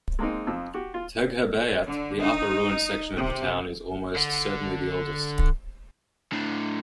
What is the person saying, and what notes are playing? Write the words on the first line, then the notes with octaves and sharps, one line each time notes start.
Tegherbeyat, the upper ruined section of the town, is almost certainly the oldest.
G#3 A#3 C4 D#4
F2 F3 E6
F#4 G4
F4
D3
D#4
C3
D3
A2 D3